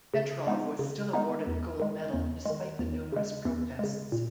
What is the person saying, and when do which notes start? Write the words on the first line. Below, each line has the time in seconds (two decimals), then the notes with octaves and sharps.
Petrov was still awarded the gold medal despite the numerous protests.
0.14 C#3
0.47 G#3 B3 D#4
0.79 C#3
1.13 G#3 B3 D#4
1.47 E2
1.80 D#3 G#3
2.13 E2
2.46 D#3 G#3
2.79 E2
3.12 C#3 G#3
3.45 E2
3.79 C#3 G#3
4.12 A#2